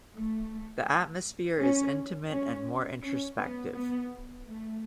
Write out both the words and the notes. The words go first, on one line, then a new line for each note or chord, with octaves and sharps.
The atmosphere is intimate and more introspective.
A3
C#4
C#4
C#4
B3
B3
A3